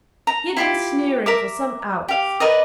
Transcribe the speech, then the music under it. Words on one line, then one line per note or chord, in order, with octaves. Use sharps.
He had been sneering for some hours.
A#5
E4 F4 G4
A#4 E5 D6
G4 F5
A#4 B4 D5 D#5